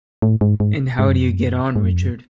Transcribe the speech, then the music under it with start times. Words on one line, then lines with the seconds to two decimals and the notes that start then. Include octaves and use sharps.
And how do you get on, Richard?
0.22 A2
0.41 G#2
0.60 G#2
0.99 G#2
1.08 F#2
1.18 F2
1.26 F#2
1.76 G#2
1.84 F#2
1.93 F2
2.01 F#2